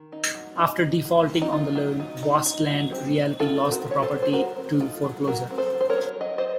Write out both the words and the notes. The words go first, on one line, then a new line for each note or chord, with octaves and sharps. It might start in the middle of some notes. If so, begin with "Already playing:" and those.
After defaulting on the loan, Vastland Realty lost the property to foreclosure.
Already playing: D#3
D#4
F#3
D#4
D#4
F#3
D#3
D#4
D#4 F4
F#3
D#4
D#4
D#4
F#3
C4
D#4
D#4 F4 A4
C4
F#4 A#4
F#3 C#5
A4 C5
F#3
C5
F#3 F#4 A#4
C4
D#4 F4 A4
F#3
F#3 F#4 A#4
C4
A4 C5
F#3
C5
A#4 C#5
F#3
F#3 D#5
C5 D#5